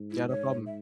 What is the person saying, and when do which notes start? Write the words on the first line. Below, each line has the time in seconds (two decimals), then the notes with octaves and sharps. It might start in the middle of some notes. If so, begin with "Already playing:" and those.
Yeah, no problem.
Already playing: G#2
0.11 E4
0.30 C#5
0.66 E5